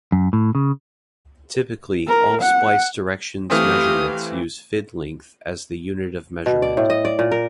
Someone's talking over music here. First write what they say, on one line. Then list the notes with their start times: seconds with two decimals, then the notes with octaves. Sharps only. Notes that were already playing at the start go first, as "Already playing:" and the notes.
Typically, all splice directions measurements use fid-length as the unit of measurement.
0.12 F#2
0.33 A2
0.55 C#3
2.08 A#4
2.42 F#5
3.50 E3 A3 C4 G4 F5 D#6
6.46 B2
6.62 D5
6.77 A2
6.90 D#5
7.05 D5
7.19 A#2
7.32 A#4